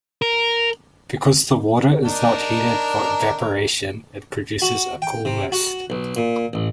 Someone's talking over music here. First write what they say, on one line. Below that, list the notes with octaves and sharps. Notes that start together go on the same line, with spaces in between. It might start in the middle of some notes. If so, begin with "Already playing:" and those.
Because the water is not heated for evaporation, it produces a cool mist.
A#4
D4 D#4 A#4
F#4
G5
C3
F#4
B1
A#2
A1